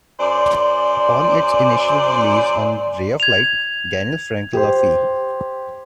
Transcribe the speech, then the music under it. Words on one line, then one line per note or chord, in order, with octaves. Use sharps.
Upon its initial release on "Ray of Light", Daniel Frankel of E!
F#2 C5 D5
G#6 F7
G4 C5